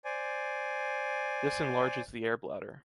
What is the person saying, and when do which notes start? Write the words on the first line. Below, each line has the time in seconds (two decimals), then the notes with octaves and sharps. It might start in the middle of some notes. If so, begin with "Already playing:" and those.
This enlarges the air bladder.
0.05 C5 D5 G#5